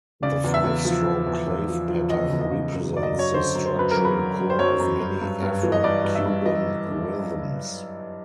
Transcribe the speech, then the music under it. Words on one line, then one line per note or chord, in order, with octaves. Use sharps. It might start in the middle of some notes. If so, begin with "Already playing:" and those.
The five-stroke clave pattern represents the structural core of many Afro-Cuban rhythms.
C#3 D5
E2
E5
E2
F3
E2
E2
E2
F3
F3
E2 D#5
E2
D#5
C#3
F#2
F#2 D5
D#5
F#2
C#5
D3 C5
F#2
C5
F#2 B4
A#4
F#3
B4
F#3
F#3
C5
F#2 C#5
F#2
F#2
G2
G2
E3
D#5
G2 D5
G2
E5
G2
E3 D#5